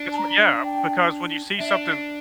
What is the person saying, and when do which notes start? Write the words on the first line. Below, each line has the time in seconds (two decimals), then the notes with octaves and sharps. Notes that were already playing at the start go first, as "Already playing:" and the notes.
That's what yeah, because when you see something
Already playing: D4
0.12 A5
0.18 A#5
0.65 G5
1.59 D4 E5